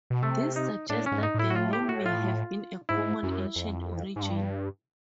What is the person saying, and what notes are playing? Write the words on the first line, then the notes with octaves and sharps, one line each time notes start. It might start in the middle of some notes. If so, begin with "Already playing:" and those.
This suggests that the name may have a common ancient origin.
B2
C3 A3
D#4
A2 D4
C#4
G#2
D#4
A2
E4
F#4
F4
G4
F#4
F4
G#2 E4
F#2
F2
G#2
G2